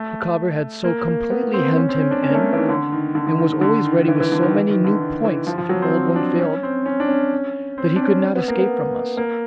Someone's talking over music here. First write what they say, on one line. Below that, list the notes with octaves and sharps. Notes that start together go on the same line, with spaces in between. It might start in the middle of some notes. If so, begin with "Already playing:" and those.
Micawber had so completely hemmed him in, and was always ready with so many new points if an old one failed, that he could not escape from us.
Already playing: A3
A#3
A#3
B3
C4
C#4
C4
C#4
D4
C#4
A#3
A3
E3
D#3
D3
D#3
D3
D3
D#3
D#3
D3
D#3
E3
E3
D3
D#3
E3
D#3
D3
D#3
E3
F3
F3
F#3
C4
D4
C#4
C4
C#4
D4
C#4
C4
D4
C#4
B3
A#3
B3
A#3